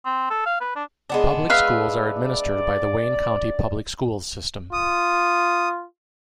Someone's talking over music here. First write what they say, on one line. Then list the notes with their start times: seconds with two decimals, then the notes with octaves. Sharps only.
Public schools are administered by the Wayne County Public Schools system.
0.05 C4
0.30 A4
0.46 F5
0.60 B4
0.76 D4
1.10 G#3 B3 D4
1.50 B4 E5 F5
2.15 D5
4.73 F4 D#6